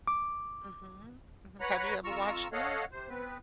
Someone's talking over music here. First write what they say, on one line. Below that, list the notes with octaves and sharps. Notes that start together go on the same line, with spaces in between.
Mhm. Mhm have you ever watched them?
D6
B4 C#5 F#5 A#5 B5
F2 F4 A#5 C#6 E6
A4 C#5 D#5 F5 F#5
C3 C5
B3 C4 B4